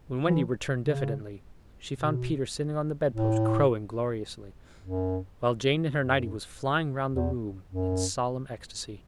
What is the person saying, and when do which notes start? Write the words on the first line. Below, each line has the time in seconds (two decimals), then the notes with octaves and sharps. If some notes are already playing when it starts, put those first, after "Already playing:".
When Wendy returned diffidently she found Peter sitting on the bed-post crowing gloriously, while Jane in her nighty was flying round the room in solemn ecstasy.
0.24 E3
0.81 C#3
1.96 B2
3.11 A2
4.83 F#2
5.98 F#2
7.13 E2
7.71 F#2